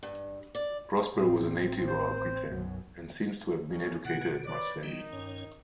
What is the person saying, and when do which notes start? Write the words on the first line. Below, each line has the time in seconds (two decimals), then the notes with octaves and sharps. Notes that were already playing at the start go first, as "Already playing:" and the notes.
Prosper was a native of Aquitaine, and seems to have been educated at Marseilles.
0.03 G2
0.55 D5
1.16 A1 C4
1.87 C5
2.48 B1 F#2 F#3
3.69 F#2 C#3 C#4
4.05 B2 D3 E3 F#5
4.46 B4 C#5 D5
4.83 D#3 E3 G3 B3 D#4
5.13 G2 C#4 C#5